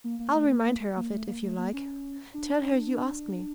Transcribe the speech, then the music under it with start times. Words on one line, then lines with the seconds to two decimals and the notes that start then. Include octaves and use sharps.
I'll remind her of it if you like--tell her you asked me.
0.04 A#3
0.20 A#3
0.35 A3
0.50 A#3
0.66 A#3
0.96 A#3
1.11 A3
1.27 A#3
1.42 A3
1.58 A#3
1.74 C#4
2.34 D4